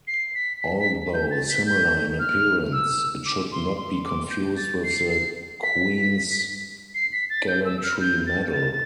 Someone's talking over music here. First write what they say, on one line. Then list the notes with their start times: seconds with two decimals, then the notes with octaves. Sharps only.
Although similar in appearance, it should not be confused with the Queen's Gallantry Medal.
0.08 C7
0.35 B6
0.61 B6
0.79 B6
1.14 G6
1.31 A6
1.49 B6
1.67 G6
2.19 F6
2.72 E6
3.26 D6
3.52 C6
3.78 C6
4.04 D6
4.30 G6
4.57 A6
4.83 C7
5.10 C7
5.63 B6
6.95 C7
7.12 B6
7.30 A6
7.48 G6
7.65 E6
7.83 F6
8.01 G6
8.27 A6
8.53 A6